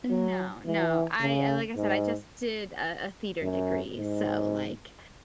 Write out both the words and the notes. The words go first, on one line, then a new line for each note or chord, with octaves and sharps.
No, no. I I like I said, I just did a a theater degree, so, like
F#3
E3
C#3
G#2
F#2
G#2